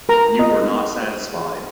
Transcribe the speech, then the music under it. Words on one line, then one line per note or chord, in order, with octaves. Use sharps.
You were not satisfied.
A#4 A#5
F4 D#5
D4
C5
G#4